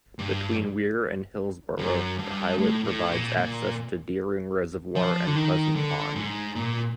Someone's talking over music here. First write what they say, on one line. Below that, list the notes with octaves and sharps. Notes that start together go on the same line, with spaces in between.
Between Weare and Hillsborough, the highway provides access to Deering Reservoir and Pleasant Pond.
G2
F#2
G2
A2
A2
A#2
A#2
F3
D3
D#3
D3
G#2
A#2